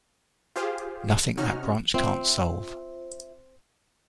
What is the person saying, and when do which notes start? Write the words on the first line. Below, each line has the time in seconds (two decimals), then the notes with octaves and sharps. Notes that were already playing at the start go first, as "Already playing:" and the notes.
Nothing that brunch can't solve.
0.56 F4 G4 G#4 C5 F5
1.37 C3 C#4 D#4 F#4 F6
1.94 C4 F4 C5 E5